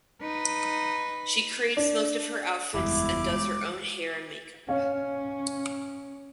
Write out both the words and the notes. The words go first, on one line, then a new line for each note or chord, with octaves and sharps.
She creates most of her outfits and does her own hair and makeup.
D#4 B4
D4
F#1 E2 G3 G#3 E4 D6
C#4 C#5 F5